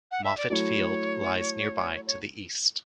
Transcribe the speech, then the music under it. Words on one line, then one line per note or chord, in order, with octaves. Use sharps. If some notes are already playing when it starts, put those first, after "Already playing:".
Moffett Field lies nearby to the east.
F#5
E5
D5
F#3 A3 E4 C#5 D5
C#5